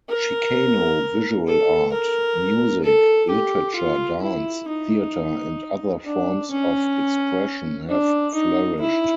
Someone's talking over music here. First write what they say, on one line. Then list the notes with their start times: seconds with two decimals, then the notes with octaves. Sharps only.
Chicano visual art, music, literature, dance, theater and other forms of expression have flourished.
0.09 A#4
1.47 A4
1.92 A#4
2.84 A4
3.30 G4
3.76 F4
4.22 E4
4.68 D#4
6.06 D4
6.51 C#4
7.89 D4
8.35 D#4
8.81 E4